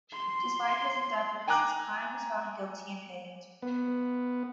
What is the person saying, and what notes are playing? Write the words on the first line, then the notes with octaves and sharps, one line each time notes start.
Despite his endeavours his client was found guilty and hanged.
C6
G5 G#5 A#5 D6 F#6
B3